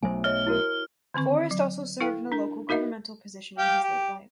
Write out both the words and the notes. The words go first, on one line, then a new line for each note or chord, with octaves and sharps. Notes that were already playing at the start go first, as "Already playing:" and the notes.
Forrest also served in a local governmental position in his late life.
B1 F#3 A3 C5 G#5
C#5 D#5 E5 F6
E4 F#4 A#4
D3 D#3 C4 C#6
F#3
E4 A4 F5 G5
D4 A#4
D#4 F#4 A#4 D#5 E5
G4 F5 G5
G4